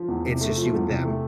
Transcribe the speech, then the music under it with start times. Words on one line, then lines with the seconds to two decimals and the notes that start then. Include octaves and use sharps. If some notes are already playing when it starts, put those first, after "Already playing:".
it's just you and them,
Already playing: F3
0.08 E2
0.25 C3
0.41 A3
0.57 F3
0.74 E2
0.89 C3
1.05 A3